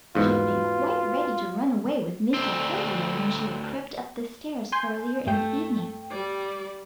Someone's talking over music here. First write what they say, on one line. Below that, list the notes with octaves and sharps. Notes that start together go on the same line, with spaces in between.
She had been quite ready to run away with Missy Sylvia when she had crept up the stairs earlier in the evening.
E2 G#2 F4 F#4 B4
D2 C4
G#5 C6 G6
G2 A3 G5
G3 D5